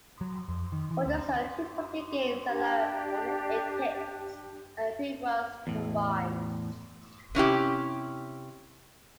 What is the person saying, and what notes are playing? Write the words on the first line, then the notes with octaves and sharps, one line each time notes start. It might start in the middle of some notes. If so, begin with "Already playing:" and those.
Walters hurled two complete games, allowing only eight hits and three runs combined.
F#3
F2
D#3
E3
D2
D4 G4
E2 A2
C3 C#4 E4 G4